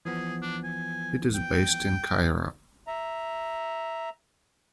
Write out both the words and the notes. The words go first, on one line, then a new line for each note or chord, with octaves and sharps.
It is based in Cairo.
E3 F3 B3 G#4
D4
G#5
G5
E5 A#5